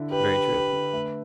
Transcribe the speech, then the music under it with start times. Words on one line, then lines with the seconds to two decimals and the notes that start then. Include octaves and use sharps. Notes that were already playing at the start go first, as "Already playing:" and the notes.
Very true.
Already playing: D3 E4
0.11 G4 B4
0.32 G4
0.52 G4
0.73 D3
0.93 A3